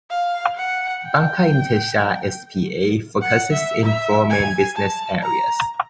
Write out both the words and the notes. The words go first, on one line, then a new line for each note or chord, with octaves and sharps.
Banca Intesa S.p.A. focuses in four main business areas.
F5
F#5
G5
F#5
E5
E5
G#5
A5
A#5